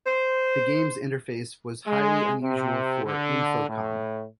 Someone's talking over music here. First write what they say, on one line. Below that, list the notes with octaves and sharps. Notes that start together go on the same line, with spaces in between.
The game's interface was highly unusual for Infocom.
C5
G#3
C3
D3
A2